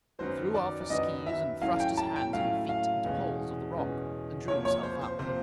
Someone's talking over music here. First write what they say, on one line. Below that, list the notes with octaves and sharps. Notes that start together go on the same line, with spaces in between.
He threw off his skees and thrust his hands and feet into holes of the rock and drew himself up.
F#2 D#3 F#3 B3 C5
D5
D5
F#2 D#3 F#3 B3 D#5
E5
A2 F#3 A3 C#4 E4 F5
G5
A5
G5
A2 F#3 A3 C#4 E4 F5
F5
E2 B2 G#3 C#4
E2 B2 G#3 C#4
C3 F3 A#3 C#5
C#5
C5
C5
C3 F3 A#3 C5